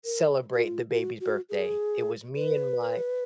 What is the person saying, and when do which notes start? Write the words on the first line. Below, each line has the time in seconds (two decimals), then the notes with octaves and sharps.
celebrate the baby's birthday. It was me and my
0.05 A#4
0.54 F#4
0.63 F4
0.92 F#4
1.20 F#4
1.50 G#4
2.36 B4